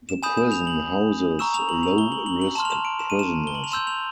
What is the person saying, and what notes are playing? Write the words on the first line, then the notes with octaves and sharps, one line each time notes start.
The prison houses low risk prisoners.
E7
G#5 B5 D#6 G6 E7
E7
F7
F#7
A#5 C#6 E6 E7
F7
F#7
F7
G7
F#7
F#7
F#7
A5 C6 F6 E7
F7
E7
D7
E7
D#7
E7
G7
F#7
F7
C6 E6 G6 E7
F7